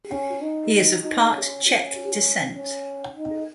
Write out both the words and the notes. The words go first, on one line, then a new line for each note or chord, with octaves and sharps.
He is of part Czech descent.
C#4
D#4
D#4
C#4
C#4
C#4
D#4